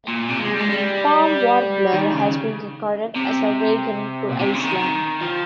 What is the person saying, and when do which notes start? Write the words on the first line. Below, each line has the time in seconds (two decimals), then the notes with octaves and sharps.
Palm warbler has been recorded as a vagrant to Iceland.
0.08 A#2
0.29 C3
0.40 G#3
0.53 G3
0.59 G#3
0.70 G3
1.93 D#3
2.13 C#3
3.16 C3
4.29 A#2
4.40 C3
4.53 C#3
4.59 D#3
5.21 F3